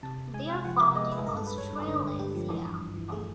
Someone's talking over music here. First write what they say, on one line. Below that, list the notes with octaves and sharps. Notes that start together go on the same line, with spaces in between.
They are found in Australasia.
C3 A5
C3
G#3 G#5
C3 G5
F3 F#5
C3 E5
G#3 D#5
G#3 B4
G2 A#4
A4
G2 B4
G2 C#5
G2
D3
G2
G2 G4
F3
E3
G2
G2
E3
A3 G#4